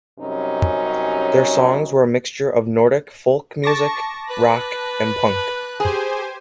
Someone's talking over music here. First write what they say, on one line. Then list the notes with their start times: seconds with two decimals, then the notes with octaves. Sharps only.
Their songs were a mixture of Nordic folk music, rock and punk.
0.19 F#2 C3 F#3 G3 C#4 D#4
3.64 A5 C#6 D6 A#6
4.29 B4 F#6
5.80 G4 G#4 C5 G#5